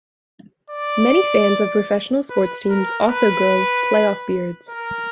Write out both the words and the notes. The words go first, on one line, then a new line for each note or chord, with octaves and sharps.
Many fans of professional sports teams also grow playoff beards.
D5
B4
A#4
B4
A#4